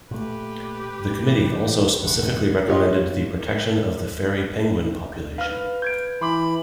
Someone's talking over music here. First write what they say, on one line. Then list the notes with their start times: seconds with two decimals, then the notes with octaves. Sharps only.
The Committee also specifically recommended the protection of the fairy penguin population.
0.11 A#2 A3 G4 B4
1.28 E3
2.04 G1 E2 C#3 F#5
2.67 F4 G4 C#5 D#5 C6
5.38 B4 F5 F6
5.82 G6 G#6 D7
6.21 E3 B5 C6 D6